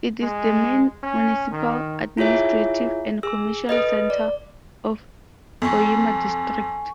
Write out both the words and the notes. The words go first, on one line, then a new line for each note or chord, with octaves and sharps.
It is the main municipal, administrative, and commercial center of Hoima District.
G#3
C#4
D#3
E4 F4 G#4 C#5 E5
G#4 E6
A4 B4 D#5
D5
F2 G#5 C#6